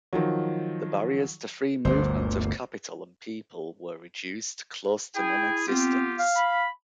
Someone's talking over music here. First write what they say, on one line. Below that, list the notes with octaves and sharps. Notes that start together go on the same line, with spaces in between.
The barriers to free movement of capital and people were reduced close to nonexistence.
D#3 F3 F#3
G1 D2 A#2 C5
E4 G#4 G5
B3 C4 F4 G4
F5
B5